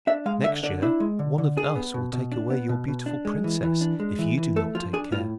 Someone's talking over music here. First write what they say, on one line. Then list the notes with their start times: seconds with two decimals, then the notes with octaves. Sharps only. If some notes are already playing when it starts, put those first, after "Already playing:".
Next year one of us will take away your beautiful princess, if you do not take care.
0.07 D4 E5
0.26 G#3 F5
0.44 D3 E5
0.63 D3 D5
0.82 D4 E4
1.00 G#3
1.19 D3
1.38 D3
1.57 D4 G#4
1.75 B3
1.94 B2
2.13 B2
2.32 D4
2.50 B3
2.69 B2
2.88 B2
3.06 D4
3.25 G#3
3.44 E3
3.63 E3
3.81 D4
4.00 G#3
4.19 E3
4.37 E3
4.56 A3 A4
4.75 F3 F4
4.93 D4 G#4
5.12 A2 F4